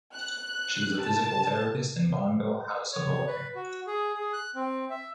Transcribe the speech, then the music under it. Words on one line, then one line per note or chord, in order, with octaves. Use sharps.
She is a physical therapist in Bonneville, Haute-Savoie.
F#6
A5
C#5
B4
F#4
G#4
G#4
F#6
C4
E5